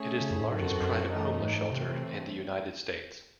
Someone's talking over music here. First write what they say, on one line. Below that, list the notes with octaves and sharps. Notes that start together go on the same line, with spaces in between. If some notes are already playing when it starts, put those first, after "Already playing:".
It is the largest private homeless shelter in the United States.
Already playing: A3 C#4 G#4 C#5 E5
C#3
F#2
A2
G#2 D#3 F#3 C4 F#4 A4
F#2
F#2
F#2
A2 E3 A3 D#4
G#2
A2 C3 E3 A3 C4